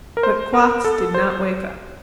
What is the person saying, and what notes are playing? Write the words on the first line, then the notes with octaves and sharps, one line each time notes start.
But Quox did not wake up.
A#4
C5
A#4
A4
C5